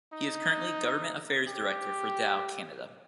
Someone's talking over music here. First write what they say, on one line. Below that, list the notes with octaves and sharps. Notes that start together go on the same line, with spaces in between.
He is currently Government Affairs Director for Dow Canada.
D#4
G4